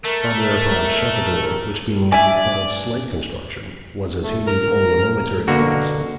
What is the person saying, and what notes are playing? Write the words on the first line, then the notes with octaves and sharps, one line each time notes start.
Bob thereupon shut the door, which being but of slight construction, was as he knew only a momentary defence.
A3 A#4
D4 D5 E5 G#5
A3
A#4
B2 D3 A#3 F#4